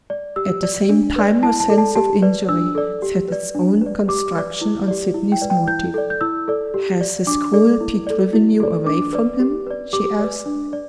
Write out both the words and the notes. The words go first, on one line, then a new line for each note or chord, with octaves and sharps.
At the same time her sense of injury set its own construction on Sydney's motive. "Has his cruelty driven you away from him?" she asked.
D5
G4 E6
D5
D4
B4 D5
E4 A5
A5
A4 D5
A5
G4 A5
B4 D5
D4 E6
A4 D5
G4
B4 D5
D4
B4 D5
G4 D6
B4 D5
E4
G4 D5
E4
G5
B4 D5
G5
E4 G6
A4 D5
G6
E4 E6
A4 D5
G4
D5
D4 D6
A4 D5
E4
A4 D5
E4
A4 D5
D4 D6
B4 D5
G4
B4 D5
G4 D6
B4 D5
D4
D5